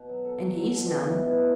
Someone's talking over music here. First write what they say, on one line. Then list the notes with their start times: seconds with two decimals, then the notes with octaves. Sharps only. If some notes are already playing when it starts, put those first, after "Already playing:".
And he's none.
Already playing: B2
0.09 F#3
0.25 A4
0.40 F#3
0.55 F#3
0.71 B2
0.87 B2
1.02 A2
1.17 B3
1.33 F#3